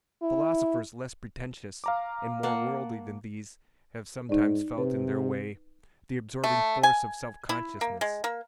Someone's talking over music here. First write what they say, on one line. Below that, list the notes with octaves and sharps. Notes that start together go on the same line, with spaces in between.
Philosophers less pretentious and more worldly than these have sometimes felt, in their way, the absorbing force of self-consciousness.
E4
F5 A#5 D6
A#3 F#5 A5
G#2 D#4 D5
C3 B4
A3
G#5
E4
A#3
G#3
A#3